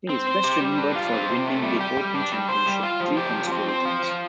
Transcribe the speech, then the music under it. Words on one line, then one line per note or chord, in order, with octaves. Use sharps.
He is best remembered for winning the Open Championship three consecutive times.
C4
C5
G4
G3
D4
F4
C4
C3
A3
G3
G4
G3
D4
G3
C5
G3
F4
F3
G4
F3
C4
C5
F4
F3